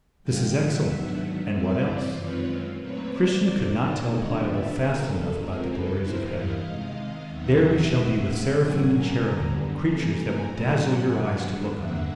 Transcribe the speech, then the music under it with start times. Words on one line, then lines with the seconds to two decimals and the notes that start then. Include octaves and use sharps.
This is excellent; and what else?' Christian could not tell Pliable fast enough about the glories of heaven. 'There we shall be with seraphim and cherubim, creatures that will dazzle your eyes to look on them.
0.23 D3 F3 G#3 F5 G5
0.55 E5 F#5
0.87 G#2 D#3 F#3 B3 D4 E5 F#5
1.51 G2 E3 G3 C4 D5 E5
1.83 C5 D5
2.15 F#2 D#3 G#3 C4 F4 B4 C#5
2.79 A#2 F#3 A3 C4 B4 C#5
3.12 C5 D5
3.43 D3 F#3 A#3 D#4
3.75 C#5 D#5
4.08 D3 F3 G#3 B3 D4
4.39 D5 E5
4.72 D3 F#3 B3 G#4 A#4
5.04 A4
5.35 F2 C#3 F3 G#3 C4 G#4 A#4
5.67 A4 B4
6.00 G2 E3 G3 B3 E4 A#4 C5
6.31 D#5 F5
6.64 C3 D#3 G#3
7.28 D#2 D#3 F#3 B3 D#4 E5 F#5
7.93 B2 G#3 C4
8.56 A2 F#3 A#3 C#4 F#5 G#5
8.88 G#5 A#5
9.20 F#2 D3 G3 B3 D4
9.84 C3 E3 A3 G#5 A#5
10.16 G#5 A#5
10.48 A2 F#3 A3 C4 G#5 A#5
10.80 F#5 G#5
11.12 G2 D#3 F#3 B3 D4
11.76 G2 D3 G3 A#3 D4 E5 F#5